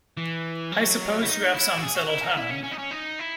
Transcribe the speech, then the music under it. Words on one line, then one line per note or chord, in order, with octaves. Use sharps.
I suppose you have some settled home.
E3
F#3
E4
D#4
E4
F#4
G#4
F#4
E4
D#4
E4
C#4
C#4
D#4
C#4
D#4
E4